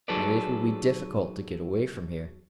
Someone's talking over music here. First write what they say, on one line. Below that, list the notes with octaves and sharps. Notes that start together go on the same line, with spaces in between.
And it will be difficult to get away from here.
F#3 D#4 G#4 A4 B4 D5